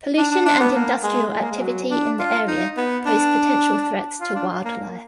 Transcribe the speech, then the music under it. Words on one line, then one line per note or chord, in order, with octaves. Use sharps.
Pollution and industrial activity in the area pose potential threats to wildlife.
D4
D4
D4
B3
A#3
G#3
G#3
A#3
G#3
F#3
D4
F4
D#4
B3
D4
F4
D4
A#3